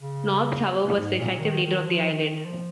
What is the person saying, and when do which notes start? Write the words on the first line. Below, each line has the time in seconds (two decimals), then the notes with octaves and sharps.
Nobbs, however, was the effective leader of the island.
0.01 C#3
0.94 G#2
1.17 A#2
1.40 D#3
1.63 D#3
1.86 F3
2.10 D#3
2.45 F3